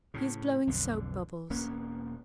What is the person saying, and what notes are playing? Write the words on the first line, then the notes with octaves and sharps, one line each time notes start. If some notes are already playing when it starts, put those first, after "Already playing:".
He is blowing soap-bubbles.
A2 C#3
B1 F2 D3
E1 A#3 B3 C#4